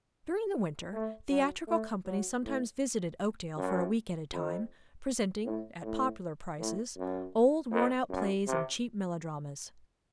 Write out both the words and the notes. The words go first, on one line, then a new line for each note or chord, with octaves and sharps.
During the winter, theatrical companies sometimes visited Oakdale for a week at a time, presenting, at popular prices, old worn-out plays and cheap melodramas.
A3
F#3
A3
F#3
A2
F#2
F2
A2
A2
A2
F#2
F2
F#2
C3